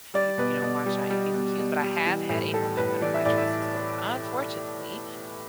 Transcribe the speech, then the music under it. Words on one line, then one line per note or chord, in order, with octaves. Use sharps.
you you know, watching out your Ps and Qs. But I have had a moment when m my trust was broken, unfortunately,
G3 D5
B2 B4
B2
G3
G3
B2
B2
G3
E3
A2
G3 A4
A2 B4
E3 D5
E5
A2 D5
E5